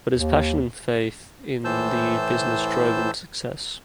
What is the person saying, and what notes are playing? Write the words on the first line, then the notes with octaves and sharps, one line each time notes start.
But his passion and faith in the business drove him to success.
D#2
A2 E3 C5 A5 E6 G6